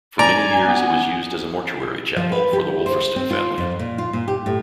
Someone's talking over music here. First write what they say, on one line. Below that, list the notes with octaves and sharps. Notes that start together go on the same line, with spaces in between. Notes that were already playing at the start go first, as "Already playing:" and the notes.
For many years it was used as a mortuary chapel for the Wolferstan family.
D5 G#5 A#5
B3
F3
B4
G4
C5
C4
F4
F2
A#2
F4
A#2
G4
A2